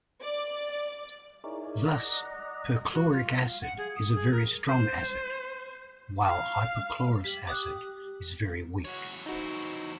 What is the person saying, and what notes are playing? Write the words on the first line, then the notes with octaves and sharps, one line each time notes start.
Thus perchloric acid is a very strong acid while hypochlorous acid is very weak.
D5
D#4 E4 G#4 A#4 C#5 D5
D5 D#5 F#5 A#5
F#4
F4
F5
F#5
G#4
D#6
G#4
A#4
C5
F5
G4 B6 F#7
D6 D#6 F#6
E2 F#4 C#5
D#4 E4 F#4 C5